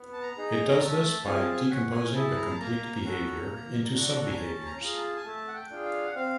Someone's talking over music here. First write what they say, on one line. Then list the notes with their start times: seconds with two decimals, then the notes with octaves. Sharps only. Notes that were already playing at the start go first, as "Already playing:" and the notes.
It does this by decomposing the complete behavior into sub-behaviors.
Already playing: B3
0.13 A5
0.22 A#5
0.37 D#4 G#4
0.52 A#5
0.81 A3 A5
1.26 C4 F4 G#4 G#5
1.40 A5
1.54 G#5
1.70 C#4 F#5
1.92 G#5
2.14 E4 G#4 A5
2.37 A#5
2.50 A5
2.60 A#3 A#5
3.04 C#4 F#4 A4
3.48 A#3
3.92 D4 F#4 A4
4.27 G#5
4.36 C#4 A5
4.67 A#5
4.81 F4 G#4
4.96 A5
5.17 G#5
5.25 A3 A5
5.48 F#5
5.55 G5
5.70 D4 F4 G#4
5.85 F5
6.06 F#5
6.15 C4 F5